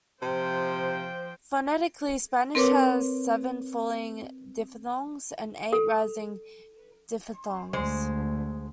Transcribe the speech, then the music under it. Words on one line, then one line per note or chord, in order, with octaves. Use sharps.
Phonetically, Spanish has seven falling diphthongs and eight rising diphthongs.
C3 F3 C5 G5
C4 A#4 B4 C#5 D6
A4
D2 G#3 C5